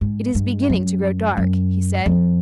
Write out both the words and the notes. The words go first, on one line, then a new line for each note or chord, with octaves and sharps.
"It is beginning to grow dark," he said.
G#2
G2
F#2
F#2
F2